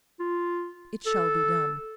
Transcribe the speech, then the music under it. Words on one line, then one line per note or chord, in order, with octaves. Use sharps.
"It shall be done!"
F4
A4